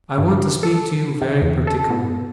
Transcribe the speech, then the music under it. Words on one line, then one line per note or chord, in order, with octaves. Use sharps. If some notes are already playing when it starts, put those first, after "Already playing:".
'I want to speak to you very particularly.
G2
A4
C3
E2
A4
B2